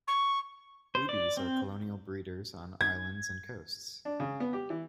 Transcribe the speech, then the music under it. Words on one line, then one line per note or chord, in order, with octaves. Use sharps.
Boobies are colonial breeders on islands and coasts.
C#6
C5
D5
C4
G#6
D4
C#3
B3
G4
E3